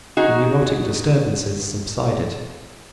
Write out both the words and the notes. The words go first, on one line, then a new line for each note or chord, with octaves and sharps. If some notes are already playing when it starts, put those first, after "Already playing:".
The neurotic disturbances subsided.
D#4 F#4 G#4